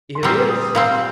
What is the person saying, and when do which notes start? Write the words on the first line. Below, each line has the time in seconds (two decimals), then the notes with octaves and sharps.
"It is."
0.15 C6
0.23 A#2 G3 C4 D6
0.49 D#6
0.75 A#2 G3 C4 F5